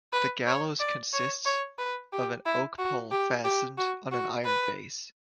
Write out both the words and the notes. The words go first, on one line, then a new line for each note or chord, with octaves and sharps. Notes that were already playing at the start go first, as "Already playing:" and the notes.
The gallows consists of an oak pole fastened on an iron base.
B4
C#5
D5
C#5
C#5
B4
G4
E4
F#4
G4
G4
F#4
F#4
B4